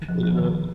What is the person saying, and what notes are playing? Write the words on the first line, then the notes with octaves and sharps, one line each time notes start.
You know?
F3
F3
D#3